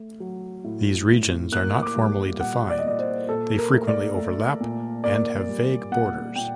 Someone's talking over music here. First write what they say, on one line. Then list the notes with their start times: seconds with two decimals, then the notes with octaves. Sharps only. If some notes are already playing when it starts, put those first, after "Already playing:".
These regions are not formally defined; they frequently overlap and have vague borders.
Already playing: A3
0.20 F#3
0.64 A2
1.09 A2
1.52 A#3 F#6
1.82 D6
1.96 G3
2.40 A#2 F#5
2.70 D5
2.78 D#5
2.85 A#2 D5
2.99 C5
3.29 A#2 A4
3.58 A#4
3.72 A3
3.87 D5
4.16 A3
4.61 A#2
5.04 A#3 D5
5.49 G3
5.92 A#2 F#5
6.35 A#2 G5